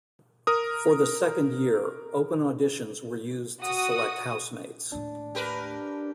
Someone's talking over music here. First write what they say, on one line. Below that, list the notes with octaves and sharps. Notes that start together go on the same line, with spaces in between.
For the second year, open auditions were used to select housemates.
A#4 D#6
F#4 D#6
D#2 A2 D4
G4 A#4 B4